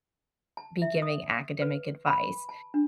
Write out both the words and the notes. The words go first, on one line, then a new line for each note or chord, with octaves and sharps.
be giving academic advice."
A5
E5
D#6
B4
B5
A5
D4